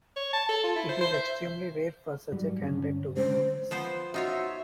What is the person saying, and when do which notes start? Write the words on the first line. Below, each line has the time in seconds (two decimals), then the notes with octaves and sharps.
It is extremely rare for such a candidate to win office.
0.16 C#5
0.33 A5
0.49 A4
0.64 F4
0.76 E4
0.89 C5
1.01 C5
1.14 E5
2.32 G#2 F#3 G3
2.60 G2 D3 C#4
3.17 D3 G#3 C#4 C5
3.71 F3 B3 C5
4.14 D#4 F4 F#4 C#5 E5